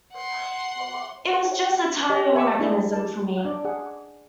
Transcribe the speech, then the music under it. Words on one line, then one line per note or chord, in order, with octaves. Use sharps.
It was just a timing mechanism for me.
F#5 C6
G4 D#5
E5 G#5 B5 C#6 D6 E6
D4 E4 G#4 A#4
A5
D4 D5
G#4 F#5